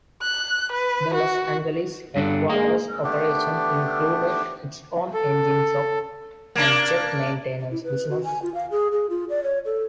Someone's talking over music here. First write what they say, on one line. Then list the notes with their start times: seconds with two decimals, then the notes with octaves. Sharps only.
The Los Angeles headquarters operation included its own engine shop and jet maintenance business.
0.22 F#6
0.72 B4
1.14 F#4
2.16 G2 D3
2.50 G#3 A#3
3.04 A3 B3 D4 G4
5.14 A4
6.55 A#3 D4
7.71 E4
7.84 B4
8.10 F#4
8.24 G#5
8.42 F4
8.55 F5
8.71 G#4
8.92 G#4
9.10 F4
9.30 D5
9.43 C#5
9.65 A4